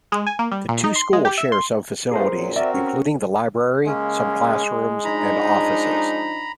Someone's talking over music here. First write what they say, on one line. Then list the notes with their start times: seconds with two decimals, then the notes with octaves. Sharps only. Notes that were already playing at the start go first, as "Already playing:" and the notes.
The two schools share some facilities, including the library, some classrooms and offices.
0.12 G#3
0.27 G#5
0.39 A#3
0.52 G3
0.69 A#2
0.84 D#4
0.96 C6
1.13 G#3
1.25 G4
1.38 E5
1.52 C6
2.11 A3 B3 F4 G#4 A#4 C5
2.28 F#2 A#2 F#3
2.56 C4 F#4 A#4 D5 E5
2.74 C#4
3.87 C#3 G#3 A#3 C#4
5.04 F3 D4 D#4 A#5 B5